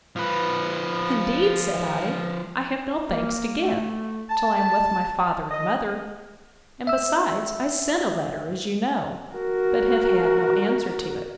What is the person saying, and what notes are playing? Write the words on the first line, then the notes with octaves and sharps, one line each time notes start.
Indeed, said I, I have no thanks to give, till I am with my father and mother: and besides, I sent a letter, as you know; but have had no answer to it.
F3 B4
A#3
A3
A5
D#5
E5 E6
F#4 A#4